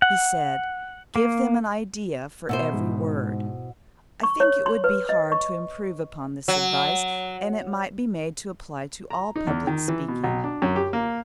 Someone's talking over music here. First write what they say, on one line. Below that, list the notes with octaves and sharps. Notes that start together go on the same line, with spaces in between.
He said: "Give them an idea for every word." I think it would be hard to improve upon this advice; and it might be made to apply to all public speaking.
F#5
A#3
B2 E4 C5 E6
G#2
C#6
C#5
C6
B4
D#5
C#6
F#3
A#5
D#4
E2
D#3
E3
B2
B1
D4
F#2
G4
A#3